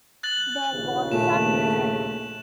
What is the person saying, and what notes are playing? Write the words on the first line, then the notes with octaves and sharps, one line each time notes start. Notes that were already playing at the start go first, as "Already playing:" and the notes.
Their bodies are different.
F#6 A6 F#7
A#1 D#2 C#3
A#2 A3 E7